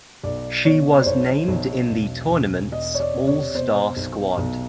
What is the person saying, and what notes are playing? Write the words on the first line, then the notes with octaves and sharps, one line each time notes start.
She was named in the Tournaments All Star squad.
B1 D5
B2 C#5
C5
B1 C#5
B1
E1
E1
E1 D#5
C#5
D5
C3
C#5
B2 C5
B1
B1